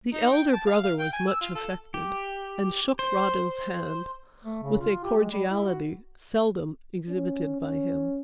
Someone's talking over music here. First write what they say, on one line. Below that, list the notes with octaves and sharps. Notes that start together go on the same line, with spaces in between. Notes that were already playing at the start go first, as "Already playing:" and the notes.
The elder brother was much affected, and shook Rawdon's hand with a cordiality seldom exhibited by him.
D#4
G5
A5
F5
F5
G5
G#5
E6
F4
A4
G4
C5
A3
C#3
F4
G4
G#3
G3
E4
F#4
C#4
C#4